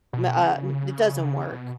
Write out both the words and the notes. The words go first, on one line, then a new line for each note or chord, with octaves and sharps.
ma uh, m it doesn't work.
B2
C#3
B2